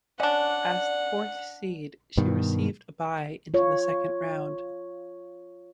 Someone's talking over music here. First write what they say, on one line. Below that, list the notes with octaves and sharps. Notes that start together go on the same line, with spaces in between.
As the fourth seed, she received a bye into the second round.
C#4 D4 D5 F#5
G2 B2 D#3
F4 C#5